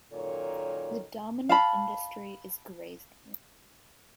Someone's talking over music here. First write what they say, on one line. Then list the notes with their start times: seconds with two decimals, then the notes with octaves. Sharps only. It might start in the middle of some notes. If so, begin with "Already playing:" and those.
The dominant industry is grazing.
0.13 F#2 A#2 D#3 A4 C#5
1.49 F5 A5 B5